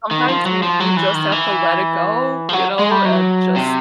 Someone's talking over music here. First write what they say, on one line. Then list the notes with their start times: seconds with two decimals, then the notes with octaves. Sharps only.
sometimes you you just have to let it go, you know, and just
0.11 D#3
0.29 F3
0.46 F#3
0.63 F3
0.80 F#3
0.97 E3
1.15 D#3
1.32 E3
2.49 F3
2.53 F#3
2.79 G#3
2.91 G3
3.05 F#3
3.56 C3